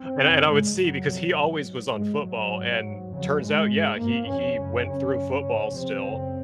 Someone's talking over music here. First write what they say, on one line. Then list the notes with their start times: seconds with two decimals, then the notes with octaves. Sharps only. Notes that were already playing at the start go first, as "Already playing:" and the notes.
and I and I would see because he always was on football and turns out, yeah, he he went through football still,
Already playing: C4
0.18 F#2 C#3
0.48 G#2 G#3
0.76 F#2 C#3 F#3
1.06 F2 C3
1.35 G#2
1.64 G#2
1.93 G#2 G#3
2.22 G#2 F#3
2.51 G#2
2.81 G#2
3.09 F2 C#3 F#3
3.38 G#2 G#3
3.67 G#2
3.96 G#2 A#3
4.26 F2 C3 C#4
4.55 F#2 C#3
4.84 F#2 C#3 C#4
5.13 F#2 C#3
5.42 G#2
5.71 F2 C3 C4
6.01 F#2 C#3